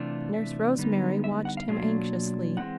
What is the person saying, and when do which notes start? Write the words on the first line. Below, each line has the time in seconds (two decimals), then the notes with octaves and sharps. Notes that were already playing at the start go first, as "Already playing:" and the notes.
Nurse Rosemary watched him anxiously.
Already playing: C3 E3 A3 D4 F4
0.34 E5
0.78 D3 G3 B3 D#4
1.24 E5
1.45 F#5
1.57 F5
1.68 B2 F#3 A#3 D4 F4 F5
2.57 E3 G#3 C4 D#4 F#5